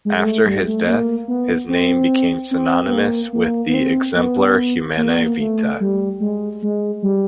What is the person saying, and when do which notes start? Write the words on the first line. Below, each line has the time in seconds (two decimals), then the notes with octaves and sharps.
After his death, his name became synonymous with the "Exemplar Humanae Vitae".
0.05 G#3
0.18 G#3
0.25 A3
0.46 G3
0.67 A3
0.87 A#3
1.28 B3
1.69 C4
2.51 C4
2.88 B3
2.93 A#3
3.33 A#3
3.69 B3
3.74 C4
4.16 B3
4.97 A#3
5.09 B3
5.22 A#3
5.39 A3
5.80 G3
6.20 G#3
6.63 G#3
7.03 G3